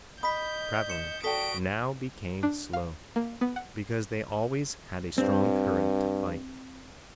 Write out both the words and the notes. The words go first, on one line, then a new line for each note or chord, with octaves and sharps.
Traveling now became slow, because they always had a strong current to fight.
D#5 B5 D#6 G6 B6
C#7 E7
F#4 A4 D5 G5 D#6 B6 D7 G7
D4
F5
A#3
B3
F#5
G2 C4